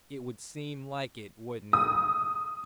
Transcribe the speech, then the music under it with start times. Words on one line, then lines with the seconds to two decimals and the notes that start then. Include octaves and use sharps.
"It would seem like it, wouldn't it."
1.73 D#6